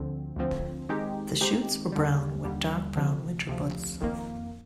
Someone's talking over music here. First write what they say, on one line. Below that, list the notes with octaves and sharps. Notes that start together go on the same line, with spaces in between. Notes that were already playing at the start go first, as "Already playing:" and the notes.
The shoots are brown, with dark brown winter buds.
Already playing: D2 D3 F3 C4
D2 D3 F3 C4
D#3 G#3 C4 D#4 G4
D#3 G#3 C4 D#4 G4
D#2 D3 G3
D#2 D3 G3
D2 C3 F3
D2 C3 F3
F2 D#3 A#3